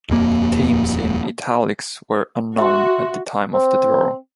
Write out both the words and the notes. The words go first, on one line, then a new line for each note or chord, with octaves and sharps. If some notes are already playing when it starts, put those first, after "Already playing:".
Teams in "Italics" were unknown at the time of the draw.
D#1 F2 A#3
F#4 E5 C6
C4